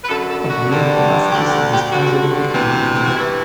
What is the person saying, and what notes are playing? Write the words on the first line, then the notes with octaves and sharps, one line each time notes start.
At the end the last piece of this puzzle became completed.
B4
F#2 D3 A4
A4
F#4
G2 D3
D2 D3 G4
G4
G4
G2 D3 F#4
D2 C3 E3
F#4
G2 E3 E4